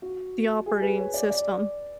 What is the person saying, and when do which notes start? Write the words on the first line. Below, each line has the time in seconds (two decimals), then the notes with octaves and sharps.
the operating system.
0.02 F#4
0.66 G#4
0.82 B4
0.98 C#5
1.14 D5
1.30 D5